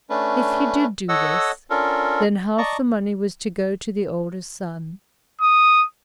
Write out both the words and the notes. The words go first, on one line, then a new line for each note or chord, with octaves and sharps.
If he did do this, then half the money was to go to the older son.
A3 C#4 D4 B4
A4 C#5 D#5 F#5 E6
C#4 D4 F4 A4 A#4
D5 D#5 A5 A#5 C#6
D#6